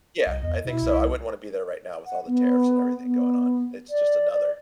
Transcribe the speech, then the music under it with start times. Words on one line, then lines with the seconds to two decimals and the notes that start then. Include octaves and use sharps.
Yeah, I think so. I wouldn't want to be there right now with all the tariffs and everything going on. It's just another,
0.27 C2 D#5
0.43 E2
0.65 B2 E4
0.82 C2
2.06 F#5
2.27 B3
3.03 B3
3.90 D5
4.32 D5